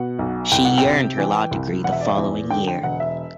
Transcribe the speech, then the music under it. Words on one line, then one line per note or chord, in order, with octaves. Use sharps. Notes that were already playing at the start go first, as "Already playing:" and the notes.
She earned her law degree the following year.
Already playing: B2 F#5
B1
C2 G5
F#5
G5
C3
E3
C2
E1 F#5
E5
D5
E5
E2
D3 G5
G5
E1 F#5
E5